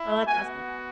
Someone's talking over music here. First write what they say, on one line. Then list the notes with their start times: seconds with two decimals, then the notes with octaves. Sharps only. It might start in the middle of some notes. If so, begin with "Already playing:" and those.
Oh, that's awesome.
Already playing: E4
0.26 B3 F#4 G#5